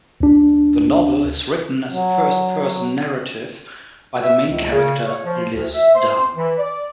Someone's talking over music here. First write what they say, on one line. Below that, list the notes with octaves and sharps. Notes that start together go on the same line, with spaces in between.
The novel is written as a first-person narrative by the main character, Liz Dunn.
D2 D4
F#3
E5
C#2
C#3
C#5
F3
D2
E5
C5
E3
D5